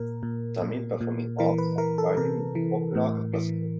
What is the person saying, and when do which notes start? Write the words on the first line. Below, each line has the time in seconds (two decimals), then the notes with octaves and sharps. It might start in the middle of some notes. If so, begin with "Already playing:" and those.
Tamil performing arts are divided into popular and classical.
Already playing: A#2 A#4
0.23 A#2
0.62 A#2
1.01 A#2
1.39 E3 A#4
1.58 B4
1.78 E3 A#4
1.98 A4
2.17 C3 A#4
2.55 E3
2.95 A2
3.33 E3